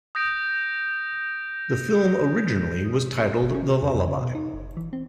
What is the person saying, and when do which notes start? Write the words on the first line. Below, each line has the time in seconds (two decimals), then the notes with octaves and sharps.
The film originally was titled "The Lullaby".
0.15 D#6 G6 A#6 D7
3.42 G1
3.54 C#4
3.70 C3
3.82 E2
3.95 F2
4.08 C#3
4.21 B2
4.35 D#4
4.54 F#1
4.77 E3
4.93 C4